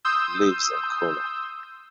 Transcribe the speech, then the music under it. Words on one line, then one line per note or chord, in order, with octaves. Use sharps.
He lives in Khulna.
C6 D#6 E6 G6